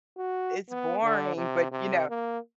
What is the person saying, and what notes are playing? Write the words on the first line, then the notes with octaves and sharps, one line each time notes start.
it's boring, but, you know
F#4
B3
D3
C3
C3
A#3